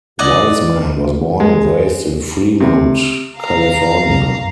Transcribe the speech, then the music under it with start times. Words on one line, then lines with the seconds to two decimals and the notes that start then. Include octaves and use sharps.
Wiseman was born and raised in Fremont, California.
0.19 D5 D#5 F#5
1.40 G#3
2.60 C3
3.37 F5 A#5
4.10 F#2